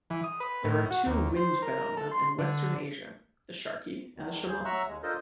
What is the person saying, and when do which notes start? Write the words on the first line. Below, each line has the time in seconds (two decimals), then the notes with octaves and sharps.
There are two wind phenomena in Western Asia: the "sharqi" and the "shamal".
0.10 E3
0.24 D#6
0.40 B4
0.64 A2
0.91 F#4
1.06 D#2
1.36 C5
1.62 A#4
1.97 A4
2.12 C6
2.38 D3
4.17 E2 D#3
4.47 D#2 G#4 C5
4.65 F#3 E5 A#5 C#6 E6 F#6
4.87 D#2 G#3
5.03 D4 F4 A4 A#4 C5 D#5